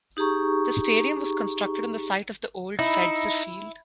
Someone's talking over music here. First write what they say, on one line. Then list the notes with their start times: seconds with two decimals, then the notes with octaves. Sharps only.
The stadium was constructed on the site of the old Fetzer Field.
0.17 D#4 G4 G#4 A#5 C#6
2.79 D#4 E4